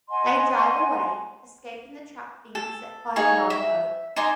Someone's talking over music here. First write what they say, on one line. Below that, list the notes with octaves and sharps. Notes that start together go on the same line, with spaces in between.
They drive away, escaping the trap being set by the Navajo.
D#5 F#5 G#5 C6
A4
D#4 G#4 C#5 F5
E5
D#4 D5 G#5 C6